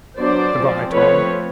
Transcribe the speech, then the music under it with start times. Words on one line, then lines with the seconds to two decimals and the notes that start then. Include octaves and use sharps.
Good-by, Tom.
0.18 F#3 B3 D4 C5 D5
0.56 F3 G#3 C4
0.92 F3 A3 C4 B4 C#5